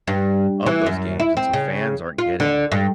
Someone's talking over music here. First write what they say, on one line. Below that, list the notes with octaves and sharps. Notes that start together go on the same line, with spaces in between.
of those games, and so fans aren't getting
G2
E3
F#2
E4
C4
C#3
F4
D3
G2